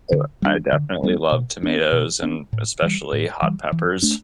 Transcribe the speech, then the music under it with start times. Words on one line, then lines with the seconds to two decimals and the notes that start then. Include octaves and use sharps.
Uh, I definitely love tomatoes and especially hot peppers.
0.12 D3
0.42 G3 B3 D4
0.73 D3
1.03 G3 B3 D4
1.32 B2
1.63 B3 D4
1.92 B2
2.23 B3 D4
2.53 A2
2.82 E3 G3
3.13 A2
3.42 E3 G3
3.72 E3
4.02 A3 D4